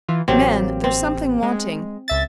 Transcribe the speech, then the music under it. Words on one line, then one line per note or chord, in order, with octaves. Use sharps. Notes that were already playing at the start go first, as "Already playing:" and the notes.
'Man, there's something wanting.
E3 F4
A1 F#3 A#3 C4 G4
C4
G#3
C#2 E5 A6